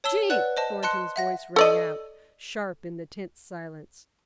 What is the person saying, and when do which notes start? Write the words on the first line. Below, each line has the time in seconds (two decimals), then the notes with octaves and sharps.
"Gee!" Thornton's voice rang out, sharp in the tense silence.
0.04 C#5 A5 E6 G7
0.30 B4 D5 F#5 F#6
0.57 C5 D#5 A5
0.83 D#5 A5 C6 F#6 C#7
1.16 E5 F#5 A#6
1.56 A4 D5 D#5